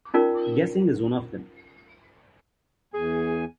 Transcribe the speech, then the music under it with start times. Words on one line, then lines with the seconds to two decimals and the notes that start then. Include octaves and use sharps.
Guessing is one of them.
0.14 C#4 D#4 F4 A#4 D5
2.94 E2 G#4 G#5